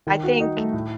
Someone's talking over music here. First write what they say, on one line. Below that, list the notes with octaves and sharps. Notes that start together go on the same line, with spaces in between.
I think
D#3
F#4
D#4
A3
A2